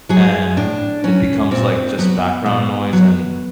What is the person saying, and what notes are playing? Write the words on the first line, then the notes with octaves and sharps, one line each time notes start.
and it becomes, like, just background noise, and,
F#3 G#4
A2 D4
F#3 C#4
A#2 C4
F#3 B3
A#2
F#3